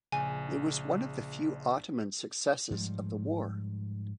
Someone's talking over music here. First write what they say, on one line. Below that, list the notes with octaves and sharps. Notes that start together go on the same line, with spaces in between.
It was one of the few Ottoman successes of the war.
A#1 C#3 G#5
G#2 F3 G3